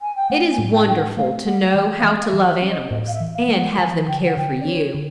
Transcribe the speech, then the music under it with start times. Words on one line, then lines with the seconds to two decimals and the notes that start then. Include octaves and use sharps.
It is wonderful to know how to love animals, and have them care for you.
0.01 G#5
0.15 G5
0.29 A3 F#5
0.51 G#5
0.58 A2
0.73 G5
0.88 D4 G5
0.95 F#5
1.17 A3 F5
1.46 A3 F#5
1.75 E3 G5
1.99 F5
2.03 E3 E5
2.22 F5
2.26 E5
2.33 E3
2.47 E5
2.62 C#4
2.69 D#5
2.90 A2 D#5
3.06 F5
3.13 E5
3.20 E3
3.34 F5
3.49 G#3 G5
3.56 F#5
3.78 F3 G#5
4.07 D3 G5
4.26 F#5
4.36 D3 G5
4.60 D5
4.65 D4 C#5
4.94 D3